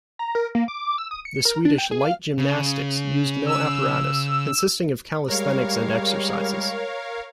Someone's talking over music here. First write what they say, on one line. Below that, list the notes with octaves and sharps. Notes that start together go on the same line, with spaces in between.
The Swedish "light gymnastics" used no apparatus, consisting of calisthenics and exercises.
A#5
A#4
A#3
D6
E6
D#6
C#7
A#4
D4
G5
G#4
F5
C#3
E6
G3 G#3 A#4 C#5 F5